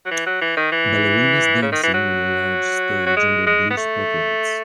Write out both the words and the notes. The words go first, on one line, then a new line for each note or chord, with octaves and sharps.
Ballerinas dancing on a large stage under blue spotlights.
F#3
E3
F#3
E3
D#3
E3
C#3
D#3
E3
F#3
F#3
G#3
G#3
B3
A3